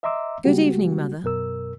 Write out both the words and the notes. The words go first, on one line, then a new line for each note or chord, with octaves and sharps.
'Good evening, Mother.'
D#5 E5 A#5 C6 D6 E6
C#3 G3 G#3 A#3 F#4 G4
F#2 B2 A#4 E6